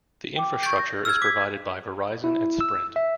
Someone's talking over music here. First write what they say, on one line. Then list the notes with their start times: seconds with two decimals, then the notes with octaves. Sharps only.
The infrastructure is provided by Verizon and Sprint.
0.36 G5 D6
0.63 C#6 G6 A6 D7
0.79 A#6
1.05 E6 F6 G#6
1.22 D6 G#6 B6
2.24 E4
2.61 E6
2.96 E5